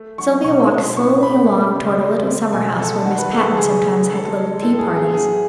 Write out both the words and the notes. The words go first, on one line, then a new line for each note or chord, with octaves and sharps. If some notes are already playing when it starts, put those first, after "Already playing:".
Sylvia walked slowly along toward a little summer-house where Miss Patten sometimes had little tea-parties.
Already playing: A3
F#3 C#6
B2 C#6
B2
A2 C#6
A3 B5
A3
C#3
G#3
G#3
B2 G#5
A3 A4
D#3 F#4
B4
G#3 A4
G#4
C#3 G#4
A3
G#3 A4
G#3
A2 A4
G#4
A3
G#4
F#3 G#4